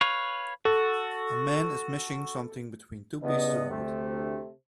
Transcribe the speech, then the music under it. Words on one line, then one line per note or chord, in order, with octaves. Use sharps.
A man is mashing something between two pieces of wood.
B4 C#5 F5
F#4 A4
E2 G2 C#3 B3 D#5
D2 C3 A3